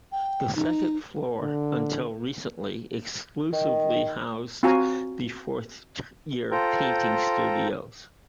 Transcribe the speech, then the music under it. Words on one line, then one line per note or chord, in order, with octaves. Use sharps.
The second floor until recently exclusively housed the fourth year painting studios.
G5
D#4
D3
D#3
C4 F4 F#4 F5 G#5 A#5
F4 A4 C5 G5 A#5